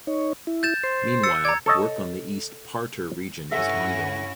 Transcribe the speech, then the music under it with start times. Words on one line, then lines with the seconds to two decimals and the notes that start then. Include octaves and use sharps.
Meanwhile, work on the East Parterre region is ongoing.
0.07 D#4 C#5
0.47 E4
0.63 G6 A6 E7
0.83 C5 C6
1.23 E6 A6 C#7
1.45 D5 A#5 D6 G#6
1.66 A4 C#5 D#5 A5
3.51 G2 C#4 E4 A4 E5 F#5 A#6